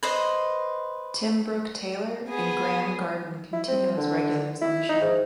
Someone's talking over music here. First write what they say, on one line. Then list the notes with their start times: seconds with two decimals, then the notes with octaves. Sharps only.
Tim Brooke-Taylor and Graeme Garden continue as regulars on the show.
0.03 B4 C5 D#5
2.28 B3 G#4
3.53 E4
3.68 C4
3.97 D3
4.62 E4
4.89 D#4
5.02 G#2